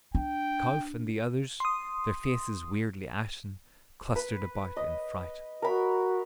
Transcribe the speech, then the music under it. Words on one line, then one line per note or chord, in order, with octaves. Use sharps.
Kauf and the others, their faces weirdly ashen, clustered about in fright.
D4 G5
C6 D#6
B4
D#5
F#4 A#4 B5